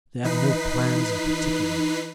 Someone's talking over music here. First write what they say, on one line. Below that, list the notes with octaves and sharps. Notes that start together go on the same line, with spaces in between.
They have no plans in particular....
E3 D#4 B4 B6 C7